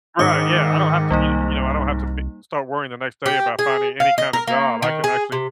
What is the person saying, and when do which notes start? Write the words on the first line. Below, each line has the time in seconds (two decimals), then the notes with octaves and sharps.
Right, yeah I don't have to you you know, I don't have to be start worrying the next day about finding any kinda job I can actually
0.19 G#2 D#3 D6 D#6 C#7
1.10 C2 G3 A#3 D#4
3.26 G4
3.59 G#4
4.00 F5
4.18 D#5
4.33 A#4
4.47 A#3
4.82 D#3
5.04 G#4
5.32 C3